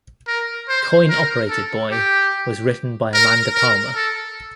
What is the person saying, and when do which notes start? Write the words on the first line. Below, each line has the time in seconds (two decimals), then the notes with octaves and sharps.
"Coin-Operated Boy" was written by Amanda Palmer.
0.27 A#4
0.69 C5
1.09 A#4
1.50 A4
1.91 G4
3.14 A#4
3.55 A#4
3.96 A4